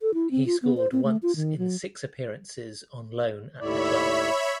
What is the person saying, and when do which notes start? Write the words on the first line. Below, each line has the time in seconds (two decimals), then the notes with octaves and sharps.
He scored once in six appearances on loan at the club.
0.01 A4
0.14 E4
0.31 C4
0.46 F4
0.62 B3
0.77 C5
0.92 C4
1.04 A3
1.23 F4
1.36 D#3
1.58 F#3
3.60 D#2 A2 C#5 D5 E5 B5